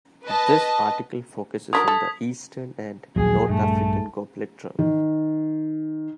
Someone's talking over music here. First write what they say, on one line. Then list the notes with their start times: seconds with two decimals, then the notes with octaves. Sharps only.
This article focuses on the "Eastern" and "North-African" goblet drum.
0.24 B4 D#5 A5
1.73 F#3 D4 A#4 D#6 G#6 B6
1.88 A4
3.16 A#1 D#2 F#3 G#4
3.49 G2 A3
4.79 D#3